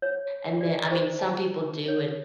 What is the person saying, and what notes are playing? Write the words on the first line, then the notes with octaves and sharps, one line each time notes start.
and then I mean, some people do and,
C#5
D5
C5
A5
C#5